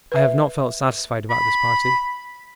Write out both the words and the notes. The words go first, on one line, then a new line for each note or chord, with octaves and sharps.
I have not felt satisfied about this party.
B4 E5
B5